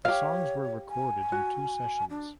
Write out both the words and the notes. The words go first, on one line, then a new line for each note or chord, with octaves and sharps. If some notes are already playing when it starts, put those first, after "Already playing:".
The songs were recorded in two sessions.
G4 C#5 F5
G#5
F#4
D4